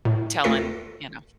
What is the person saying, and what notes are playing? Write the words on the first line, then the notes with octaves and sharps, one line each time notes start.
telling you know,
A2
D#2 A3 F4 A4 A#6